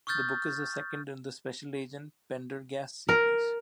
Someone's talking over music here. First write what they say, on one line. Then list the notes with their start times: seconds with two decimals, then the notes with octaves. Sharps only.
The book is the second in the Special Agent Pendergast series.
0.07 C#6 D#6 F6 G6 A6
3.09 A#4